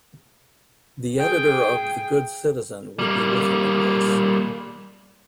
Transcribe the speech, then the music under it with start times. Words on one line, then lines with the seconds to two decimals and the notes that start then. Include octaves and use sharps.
The editor of "The Good Citizen" would be with him in this.
1.19 G#4 G5
2.99 G3 A#3